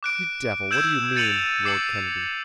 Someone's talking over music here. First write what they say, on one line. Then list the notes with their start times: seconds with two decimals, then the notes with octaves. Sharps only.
"You devil, what do you mean?" roared Kennedy.
0.03 D6 F#6 D7
0.71 E6 G6 G#6 E7 F#7
1.16 G6 A6 C#7 D#7 F7 F#7
1.65 D6 C7 C#7 F#7